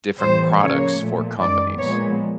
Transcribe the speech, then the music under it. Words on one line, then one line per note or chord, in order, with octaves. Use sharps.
different products for companies,
A2 E3 G3 B3 C5
C#3 F3 A#3 C#5
A#2 F3 A3
F#2 D#3 G#3 D5
A#2 F3 G#3 B3 C#5